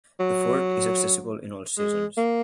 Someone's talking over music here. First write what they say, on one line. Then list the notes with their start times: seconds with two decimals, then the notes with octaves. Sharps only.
The fort is accessible in all seasons.
0.20 F#3
1.78 G#3
2.17 A#3